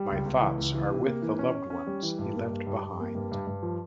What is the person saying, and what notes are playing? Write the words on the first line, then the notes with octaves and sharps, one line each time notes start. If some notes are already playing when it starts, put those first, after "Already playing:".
My thoughts are with the loved ones he left behind.
Already playing: G3
C#2
C#2
E3
C#2
E3
C3
A#3
E3
C#4
C#4
C#4
G3
E3
G2
A#3
G2
G2
G2
A#3
G2
G2
G2
F3